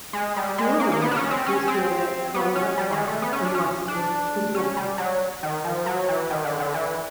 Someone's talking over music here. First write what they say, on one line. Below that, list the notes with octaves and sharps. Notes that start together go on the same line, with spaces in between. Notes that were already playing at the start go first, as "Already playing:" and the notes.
Whirlaway was bred at Calumet Farm in Lexington, Kentucky.
G#3
G3
G#3
A#3
A#3
B3
D4
C#4
C4
C#4
C4
B3
C#4
G3
G#3
A3
B3
C#4
D4
C#4
D4
C#4
G3
F#3
D#3
F3
F#3
E3
D#3
D3
D3
E3